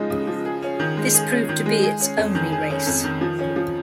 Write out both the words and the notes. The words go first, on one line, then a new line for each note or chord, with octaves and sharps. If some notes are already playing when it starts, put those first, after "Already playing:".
This proved to be its only race.
Already playing: C#3 F3 G#3 D#4
C#3
F3
G#4
C#4
D#3
G#3
G#4
C#4
D#3
G#3
G#4
C#4
F2
D#3
G#4
C#4
F2
D#3
F3
C#4
F3